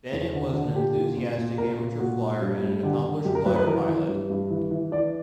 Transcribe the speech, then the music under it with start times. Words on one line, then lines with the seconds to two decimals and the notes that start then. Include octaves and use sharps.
Bennett was an enthusiastic amateur flier and an accomplished glider pilot.
0.12 E2
0.33 D3
0.54 D3
0.75 A#2 G4
0.96 A#2
1.17 A#2
1.38 A#2
1.58 A#2 A#4
1.79 A#2
2.00 A#2 F#4
2.21 A#2
2.41 G2
2.63 G2
2.83 D3 G4
3.05 D3
3.25 F#2 G4
3.35 A#4
3.45 F#2 B4
3.56 B4
3.67 E3 A#4
3.88 E3
4.08 G2
4.30 G2
4.51 E3
4.71 E3
4.92 E3 D5